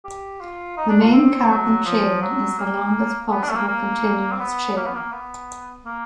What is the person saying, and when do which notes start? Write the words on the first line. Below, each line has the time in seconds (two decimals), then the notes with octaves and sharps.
The main carbon chain is the longest possible continuous chain.
0.05 G4
0.40 F4
0.78 D#4
0.89 D4
1.02 F4
1.13 C4
1.49 F#3
1.86 F3
2.22 F#3
2.58 A#3
3.31 B3
3.43 D4
3.50 A3
3.56 A#3
3.68 A#3
4.32 C4
4.41 B3
4.77 A#3
4.86 B3
4.95 A#3
5.12 B3
5.85 A#3